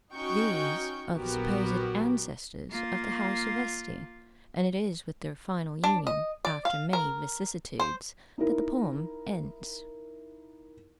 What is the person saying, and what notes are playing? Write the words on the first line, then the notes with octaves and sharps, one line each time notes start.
These are the supposed ancestors of the house of Este, and it is with their final union, after many vicissitudes, that the poem ends.
C#4 D#4 F#4 G5 C#6 G6
A#1 F#3 B3 F#4 G4 A#4
A#3 F4
D4
D#5
D5
F5
A#4
C5
D#4 E4 A#4